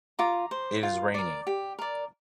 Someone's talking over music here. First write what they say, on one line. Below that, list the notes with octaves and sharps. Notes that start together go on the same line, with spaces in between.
It is raining.
F4 A#5 D6
C5
F4
A#4 D5
G4
A#4 D5